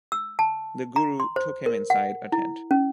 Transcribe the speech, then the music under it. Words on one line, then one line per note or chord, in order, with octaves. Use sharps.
The Guru took him inside a tent.
E6
A5
A#5
C6
C5
A#4
F#5
E4
C#4